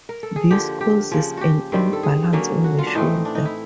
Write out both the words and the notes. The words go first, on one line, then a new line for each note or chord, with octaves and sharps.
This causes an imbalance on the shoulder.
A#4
A4
G#4
D3 F3 A#3 G4
G4
C#3 F3 A#3
F#4 G4
G2 D#3 G3 C4
A4
G#4
D3 F#3 A#3 C#4
F#4
F4
D4
A2 E3 A3 C4 D#4
D4
D#4
E4